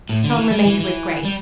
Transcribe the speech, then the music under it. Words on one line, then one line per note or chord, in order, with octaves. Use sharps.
Tom remained with Grace.
A2
D3
E3
G3
E3
E3
G3